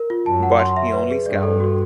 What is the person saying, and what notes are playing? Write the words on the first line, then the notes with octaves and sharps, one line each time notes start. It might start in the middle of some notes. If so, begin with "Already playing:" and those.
But he only scowled.
Already playing: A#4
F4
F#2 A5
F#5
C6
E5
B4
G#4
G2 D5
A4
F#4